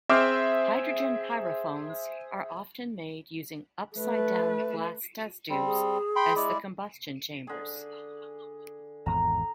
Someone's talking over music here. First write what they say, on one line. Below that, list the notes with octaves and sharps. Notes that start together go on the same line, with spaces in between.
Hydrogen pyrophones are often made using upside-down glass test tubes as the combustion chambers.
C4 G#4 C5 E5 D6 F6
A3 B4
G3 C4
G#4
G5 B5 C6
G#3 E4 D5
D3 G#4
G#1 E2 G#2 A#5